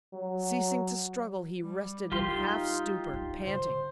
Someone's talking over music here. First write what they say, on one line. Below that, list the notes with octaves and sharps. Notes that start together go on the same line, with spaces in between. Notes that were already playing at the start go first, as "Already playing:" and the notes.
Ceasing to struggle, he rested in half stupour, panting.
F#3
G3
C2 G3 F4 G4 C6
D#4
D4
D3 C5